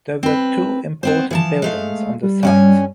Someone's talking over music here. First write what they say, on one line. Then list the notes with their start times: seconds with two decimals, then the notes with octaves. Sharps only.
There were two important buildings on the site.
0.23 C4 B4
1.03 B3 C4 C5
1.31 E3 F3 A5
1.62 G#3 A3 F5
2.23 G3
2.43 G2 C#4 G#5